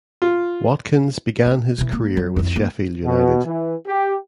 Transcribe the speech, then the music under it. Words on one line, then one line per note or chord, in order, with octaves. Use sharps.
Watkins began his career with Sheffield United.
F4
A#3
B2 E3
A#3
F#3
F2 E4
A#3
B2
E3
G4